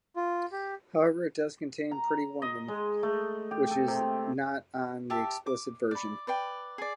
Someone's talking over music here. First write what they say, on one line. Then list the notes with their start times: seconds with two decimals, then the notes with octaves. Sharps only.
However, it does contain "Pretty Woman", which is not on the explicit version.
0.16 F4
0.52 G4
1.91 A#5
2.42 D#5
2.68 G#3
3.03 A3
3.51 G4
3.71 A4
3.88 C3
5.10 G4 E5 A5
5.47 D6
5.91 D5 B5
6.27 B4 D5 G5
6.78 G#4 D5